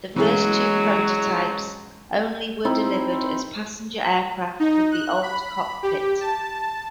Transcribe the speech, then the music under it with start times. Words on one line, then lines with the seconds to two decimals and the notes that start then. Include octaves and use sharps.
The first two prototypes only were delivered as passenger aircraft with the old cockpit.
0.16 E3 F#3 G#3 C#4 G#4
2.65 C4 D#4 E4
4.60 D#4
4.92 F#6
5.23 B5
5.83 G4
6.20 A5